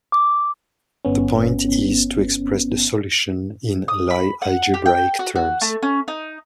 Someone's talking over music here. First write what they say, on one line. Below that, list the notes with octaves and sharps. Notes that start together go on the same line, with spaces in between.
The point is to express the solution in Lie algebraic terms.
D6
G1 B3 C#4
D#6
B5
F#5
G4
G5
F#4
F#4
A3
C#4
D#4